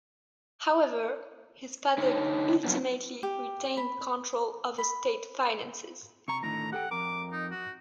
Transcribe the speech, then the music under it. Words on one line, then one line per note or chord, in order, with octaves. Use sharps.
However, his father ultimately retained control over state finances.
D3 D#4 C#5
F#3 A#3 B3 D4
G4
B5
B5
C3 A#5 C#6
A2 D3 D#3 A#5
G4 A4 F#5 G5
F2 A#4 D6
D#4
F#4